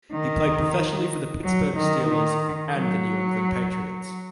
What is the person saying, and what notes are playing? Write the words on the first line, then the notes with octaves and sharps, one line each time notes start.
He played professionally for the Pittsburgh Steelers and the New England Patriots.
D#3
F#3
D#3
D#3
F#3